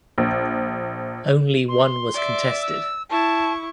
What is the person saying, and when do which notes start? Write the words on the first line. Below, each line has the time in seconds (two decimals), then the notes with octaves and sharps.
Only one was contested.
0.18 A#1
1.68 C6
2.15 D5 E5
2.60 E6
3.10 E4 A5 C#6